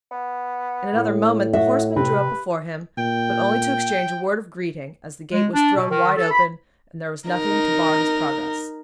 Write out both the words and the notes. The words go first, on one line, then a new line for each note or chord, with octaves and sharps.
In another moment the horseman drew up before him, but only to exchange a word of greeting, as the gate was thrown wide open, and there was nothing to bar his progress.
B3
A2
F#4 E5
C3 B4
A#2 G5
G#3
D4
B2
D#3
A4
B5
D#4 A#4